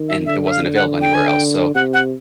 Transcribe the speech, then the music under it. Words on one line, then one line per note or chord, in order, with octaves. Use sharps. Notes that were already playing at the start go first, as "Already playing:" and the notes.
and it wasn't available anywhere else. So,
Already playing: D#3
E5
D3 E5
E5
F5
F#5
G5
G#5
G5
C3 F#5
F#5